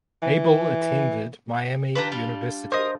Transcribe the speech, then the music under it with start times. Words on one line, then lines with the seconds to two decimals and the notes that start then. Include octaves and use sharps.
Abel attended Miami University.
0.23 E3
1.95 D4 F4 G4 B4 A5 A#5
2.12 G3 F5
2.72 A#4 C5 D#5 D#6